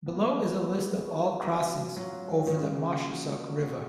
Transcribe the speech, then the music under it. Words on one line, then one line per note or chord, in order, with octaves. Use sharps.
Below is a list of all crossings over the Moshassuck River.
B3
A#3 B4
B3
G#3 B4
F#4
F#2
F#2
F#3 F4
F4
D#3
C#3 A#3
F#4
D#4
F#4